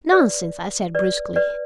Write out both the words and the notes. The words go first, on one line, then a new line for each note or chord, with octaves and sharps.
"Nonsense!" I said bruskly.
B4 D5
B4 D5
B4 D5